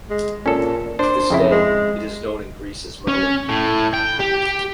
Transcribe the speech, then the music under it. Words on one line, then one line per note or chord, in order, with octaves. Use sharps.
To this day, it is known in Greece as "Merlin".
G#3
A#2 C#4 A4
D4 C5 D5
F2 C#3 E4
G#3
C#4
A2
G5
G4